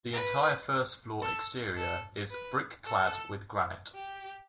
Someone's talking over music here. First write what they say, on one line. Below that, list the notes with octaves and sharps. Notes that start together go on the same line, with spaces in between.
The entire first floor exterior is brick-clad with granite.
B4
A4
A4
B4
A4
G4